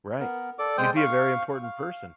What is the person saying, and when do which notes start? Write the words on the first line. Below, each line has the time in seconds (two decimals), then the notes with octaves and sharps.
Right, you'd be a very important person.
0.20 B3 A#4
0.59 A4 D5 D6
0.77 G#3 C5 G5 D#6
0.97 F5 C#6
1.64 F5